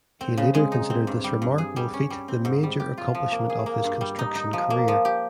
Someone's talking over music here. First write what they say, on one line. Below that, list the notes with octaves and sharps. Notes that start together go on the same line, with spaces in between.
He later considered this remarkable feat the major accomplishment of his construction career.
C4
C#3
G#3
D#4
C4
G2
G3
G2
G#4
G3
C#4
G3
C4
G#2
G3
G4
F4
F3
A#3
G#4
A#3
G2
G3
D#4
D#4
F3
A#3
F3
G4